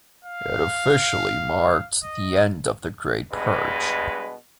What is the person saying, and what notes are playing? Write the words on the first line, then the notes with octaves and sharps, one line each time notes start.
It officially marked the end of the Great Purge.
F5
D#5
G2 B2 G#3 B4